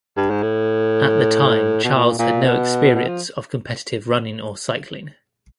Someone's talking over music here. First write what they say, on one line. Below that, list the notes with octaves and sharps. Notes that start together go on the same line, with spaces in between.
At the time Charles had no experience of competitive running or cycling.
G2
G#2
A2
B2
A#2
A#2
B2
B2
F3